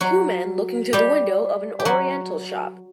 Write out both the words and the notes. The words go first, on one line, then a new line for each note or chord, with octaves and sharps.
Two men looking through the window of an Oriental shop.
F#3 F#4
G3 G4
G4
F#3 F#4